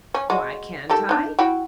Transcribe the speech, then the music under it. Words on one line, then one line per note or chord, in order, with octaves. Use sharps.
"Why can't I?"
C#4
G#3 F#4
D#3 G4 A4
D4 D#4
E4 F#4 G5